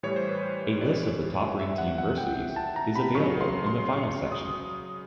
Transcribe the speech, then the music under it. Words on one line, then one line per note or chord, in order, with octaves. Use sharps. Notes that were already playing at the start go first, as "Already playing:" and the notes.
A list of top ranked universities is available in the final section.
A2 E3 G3 C#5
C5
B4
C5
D5
E5
F#5
F#5
G5
A5
A#5
B5
C#3 F#3 C#6
C6
C6
C#6
D#6